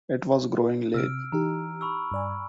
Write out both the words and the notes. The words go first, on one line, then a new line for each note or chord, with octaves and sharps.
It was growing late.
C3 E6 F6 D7
E3 D#4 G4 A#5
B5 C#6 E6
G2 D5 G#5